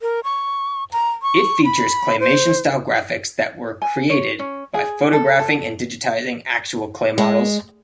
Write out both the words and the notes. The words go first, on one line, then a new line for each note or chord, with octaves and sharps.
It features claymation-style graphics that were created by photographing and digitizing actual clay models.
A#4
C#6
A#5
C#6
B5
C5
G#5
C#5
C#4
G#4
A4
A4
G#3